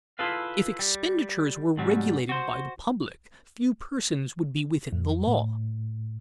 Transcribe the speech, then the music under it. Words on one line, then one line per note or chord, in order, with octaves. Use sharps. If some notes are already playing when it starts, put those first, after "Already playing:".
If expenditures were regulated by the public, few persons would be within the law.
E4 F4 G#4 A4 B4 F5
G3
G#2 C3 F#3 G3
F#4 C5
F2
A2